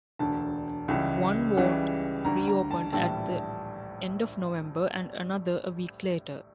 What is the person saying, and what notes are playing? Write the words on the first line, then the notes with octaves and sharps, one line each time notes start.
One ward reopened at the end of November and another a week later.
E1 D2 D3 A5
C#2 C#3 E3 G3
C#2 C#3 E3 G3
D2 D3 G3 A#5
A#5
A5
A#1 A2 E3 G3 A5